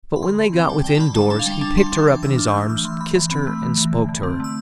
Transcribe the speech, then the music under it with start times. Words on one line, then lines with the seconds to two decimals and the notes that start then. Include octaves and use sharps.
But when they got within doors he picked her up in his arms, kissed her and spoke to her.
0.16 B5
0.23 D3 C6
0.38 D3
0.53 C4
0.59 G5
0.69 G3 A5
0.84 D3 G5
0.95 A5
1.00 D3 B5
1.16 G3 A5
1.30 D4 A5
1.39 F5
1.46 G3 G5
1.61 D4 A5
1.77 G3 C6
1.92 D4 C6
2.07 E3 D6
2.23 E3 E6
2.38 D4 F6
2.48 G6
2.54 A3 F6
2.69 E3 E6
2.85 E3 C6
3.01 E3 B5
3.15 E3 B5
3.31 C4 B5
3.47 A3
3.62 E3
3.78 E3
3.93 D3
4.09 D3
4.23 C4
4.40 A3 E6